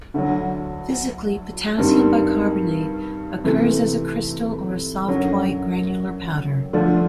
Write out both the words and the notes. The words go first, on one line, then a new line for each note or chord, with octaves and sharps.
Physically, potassium bicarbonate occurs as a crystal or a soft white granular powder.
D2 D3 F#3
G2 D#3 G3 C4
C3 E3 A3
F#2 D3 F#3
D3 F3 A3 D4 F4